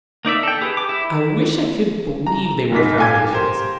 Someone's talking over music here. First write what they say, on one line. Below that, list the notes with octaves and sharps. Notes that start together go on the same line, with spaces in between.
"I wish I could believe they were foundations."
A#3 D#4 D5 E5
A4 G5
G4 G#4 B4
D6
E4
A#5
F1 G#2 B6
A4 F5 G5 G#5 D6 G#6
G4 A#4 C5